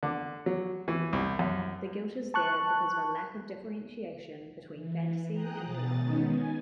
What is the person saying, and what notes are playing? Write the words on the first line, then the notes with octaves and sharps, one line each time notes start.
The guilt is there because of a lack of differentiation between phantasy and reality.
D3
F#3
E3
C2
F#2
A5 C#6 F#6
E3
G#4 G5 A#5 D#6 F#6
B2 A6
D#3 G#3 B3 C#4 D#4
G#5